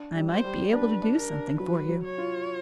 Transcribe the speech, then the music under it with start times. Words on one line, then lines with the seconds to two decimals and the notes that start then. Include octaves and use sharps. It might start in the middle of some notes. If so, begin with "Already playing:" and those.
'I might be able to do something for you.
Already playing: D4
0.15 G3
0.30 C5
0.44 G3
0.73 D4 B4
1.03 D4
1.17 A#4
1.32 D4
1.60 F#3 B4
1.89 F#3
2.04 C#5
2.18 F4